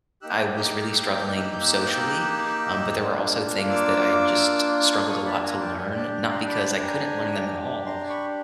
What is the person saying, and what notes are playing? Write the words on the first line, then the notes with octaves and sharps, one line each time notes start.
I was really struggling socially. Um, but there were also things that I just struggled a lot to learn, not because I couldn't learn them at all,
A#3 D#4 G4 E6 F#6
F6 G6
F6
E6 F#6
F6 G6
E6 F#6
G6
E6 F#6
A#3 D4 F4
D6 E6
C#6 D#6
A5 B5
G#5 A#5
G5 A5
D4 G4 F#5 G#5
G5 A5
A#5 C6
A5 B5
G#5 A#5
A#5 C6
B5 C#6